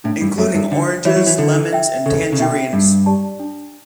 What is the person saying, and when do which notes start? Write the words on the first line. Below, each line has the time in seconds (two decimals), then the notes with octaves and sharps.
Including oranges, lemons, and tangerines.
0.04 A2 D4
0.21 G2
0.38 F#2 F#4 C#5 E5
0.54 G2
0.71 D3 D4
1.05 E3 F#4 C#5 E5
1.16 F#3
1.27 E3
1.38 D3 A4
1.73 E5 G5
2.06 C#3 A4
2.32 C#3
2.39 B2 E5 G5
2.73 G2 D4
3.06 G4 D5 A5
3.39 D4